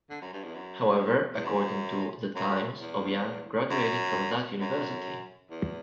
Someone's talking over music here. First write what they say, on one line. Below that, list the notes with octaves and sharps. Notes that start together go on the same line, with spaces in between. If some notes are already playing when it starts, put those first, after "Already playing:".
However, according to "The Times", Obiang graduated from that university.
D3
F#2
G2
E2
F#2
E2
F#2
F#2
E2
F#2
F#2
E2